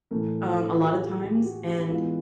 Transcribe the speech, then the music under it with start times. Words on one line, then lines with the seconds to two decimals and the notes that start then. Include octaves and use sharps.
um, a lotta times. And
0.11 A2 E3 A3 A#4
0.55 A4
0.74 F4
0.83 F#4
0.92 G4
1.00 G#4
1.23 G4
1.45 F#4
1.67 G4
1.79 E4
1.90 E3 G#3 B3 F4